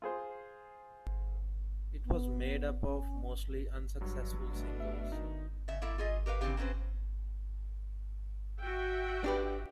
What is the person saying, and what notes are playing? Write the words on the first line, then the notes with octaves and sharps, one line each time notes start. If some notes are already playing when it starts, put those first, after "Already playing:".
It was made up of mostly unsuccessful singles.
F4 G#4 C5
B3
C#4
G2 F#3
B2 A3 D4
E5
D#3 D#4
C#3 E5
A#3 E4 A4 E5
F4 G#4 D#5
G4 A#4 B4 F5
C#3 E3 C4 D4 G4 F5
A#3 C4 C#4 B4 C5
F#4 E5 G5
D4 G4 B4